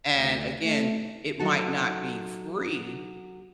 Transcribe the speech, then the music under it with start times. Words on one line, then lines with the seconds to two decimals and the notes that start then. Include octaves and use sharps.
And again, it might not be free,
0.14 D2
0.63 A3
1.40 F#3 D#4 F#4 A4